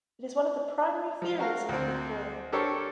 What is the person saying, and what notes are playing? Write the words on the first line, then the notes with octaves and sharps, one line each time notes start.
It is one of the primary theories on peak oil.
F3
F#4 A#4 F5
D2 C4
D4 G4 A4 A#4 C5 C#5